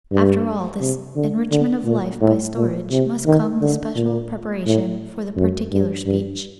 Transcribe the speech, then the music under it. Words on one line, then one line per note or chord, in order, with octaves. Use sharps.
After all this enrichment of life by storage, must come the special preparation for the particular speech.
G2
C3
D3
D3
A#2
A2
A#2
C3
D#3
D3
A#2
A2
F#2
G2
G2